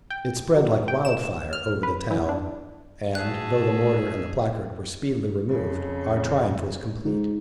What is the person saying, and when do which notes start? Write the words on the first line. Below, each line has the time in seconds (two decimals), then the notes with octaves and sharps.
It spread like wildfire over the town, and, though the mortar and the placard were speedily removed, our triumph was complete.
0.10 G5
0.57 F#3
0.88 G5
1.05 E7
1.53 F6
1.83 B4
2.11 E3
2.29 D4
3.15 F#4 G#4 E5 A5 F#6
5.49 F2 C#3
7.05 G#2